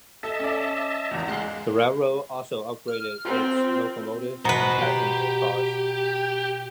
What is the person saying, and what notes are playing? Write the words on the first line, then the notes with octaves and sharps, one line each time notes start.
The railroad also upgraded its locomotives and passenger cars.
A4 D#5 E5 A5
C#4 D5
G#1 E2 A#5
G#3 F5 C6 F#6
F6
C4 F4
B2 B4 C5 A#5
G4